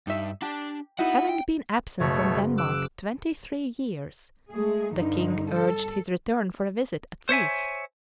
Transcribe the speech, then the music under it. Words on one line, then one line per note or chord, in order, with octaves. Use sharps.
Having been absent from Denmark twenty-three years, the King urged his return for a visit, at least.
G2 D#4 E5
D4 G4 A5
D#4 E4 F#4 F#5 B5
G5
F#1 B2 A3 F#4 C#5
D6 E6 F#6
G#3 A3 G#4
G2 D3 D#4
A4
C5 C#5 E5 G#5